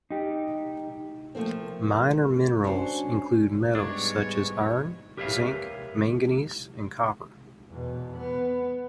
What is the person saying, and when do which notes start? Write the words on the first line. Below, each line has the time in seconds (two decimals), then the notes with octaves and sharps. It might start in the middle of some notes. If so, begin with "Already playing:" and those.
"Minor minerals" include metals such as iron, zinc, manganese and copper.
0.10 D#4 G4
1.35 F3 A3 A#3 C4
2.64 C#4 D4 F#4 C5
3.75 G#2 G3 G#3 B3 D4 C#5
5.17 G4 A#4 B4 C#5 E5 F5
7.70 E2 B2
8.16 B3